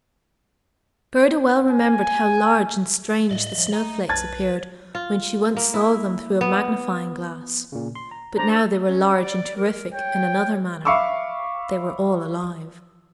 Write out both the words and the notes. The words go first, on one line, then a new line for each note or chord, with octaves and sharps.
Gerda well remembered how large and strange the snow-flakes appeared when she once saw them through a magnifying-glass; but now they were large and terrific in another manner--they were all alive.
G#5
A2 D5 D#5
F3
A3 D#5 A#5
B1 B4 A5 G#6 A6
F4
A#3
E4
B3
A#2 C#3
C6
A#5
D4 C5 D5 A#5
E6
C#4
D5
A#4
C#5 G5
E5 F5 B5 C#6 D6 E6